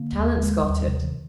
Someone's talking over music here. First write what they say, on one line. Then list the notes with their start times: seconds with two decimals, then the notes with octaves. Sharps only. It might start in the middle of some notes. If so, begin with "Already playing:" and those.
"Talent's got it."
Already playing: D3 A#3
0.12 D#2
0.37 D3 G#3
0.63 D#2 G3
0.88 C3 F3
1.04 D#3